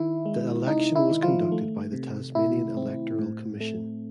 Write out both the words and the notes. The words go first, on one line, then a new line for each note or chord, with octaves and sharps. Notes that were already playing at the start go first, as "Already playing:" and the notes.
The election was conducted by the Tasmanian Electoral Commission.
Already playing: D#3 E4
G#3
C3 D#4
E4
D#3
F3 F4
A3
C3
C3 E4
C4
A2
A3